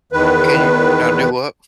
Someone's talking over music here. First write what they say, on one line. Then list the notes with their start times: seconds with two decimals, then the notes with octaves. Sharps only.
can you now do what?
0.13 E2 D#3 B4